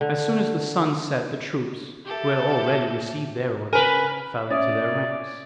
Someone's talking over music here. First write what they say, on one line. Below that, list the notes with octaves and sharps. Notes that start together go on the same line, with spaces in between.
As soon as the sun set the troops, who had already received their orders, fell into their ranks.
D3
G4 A4 E5
C#3 A#4 B4 G#5
C#4 D5 E5 D#6 A6